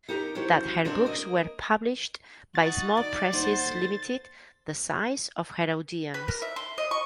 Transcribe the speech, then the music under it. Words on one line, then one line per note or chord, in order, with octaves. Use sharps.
That her books were published by small presses limited the size of her audience.
D#4 G4 A#4 A#5
E3 F#3 C#4 G4 C5
F#3 C4 D4 A#4 D5
A#3 A#4 D#5
D#4 F#4 A6
D#3 D5
D#2 D#4 C5 F#5
A4
B4
A#4
E5
C6
D#5
C#6